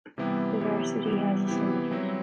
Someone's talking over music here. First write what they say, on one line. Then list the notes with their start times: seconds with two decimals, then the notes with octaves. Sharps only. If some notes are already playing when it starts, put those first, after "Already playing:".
The varsity has a syndicate.
0.17 C3 E3 G3 B3 E4 G4
0.61 C3 E3 F#3 B3 E4 G4
1.04 C3 E3 G3 B3 E4 G4
1.47 C3 E3 B3 E4 G4
1.91 F#3 G3 C4 E4